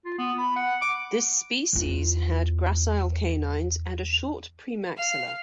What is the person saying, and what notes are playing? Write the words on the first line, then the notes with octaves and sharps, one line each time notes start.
This species had gracile canines and a short premaxilla.
F4
B3
B5
F#5
D6
E2 F4
F5